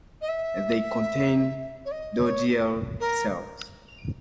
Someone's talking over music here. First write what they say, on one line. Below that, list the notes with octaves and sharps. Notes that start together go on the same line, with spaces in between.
They contain Dogiel cells.
D#5
E5
C#5
D#5
C#5
A#4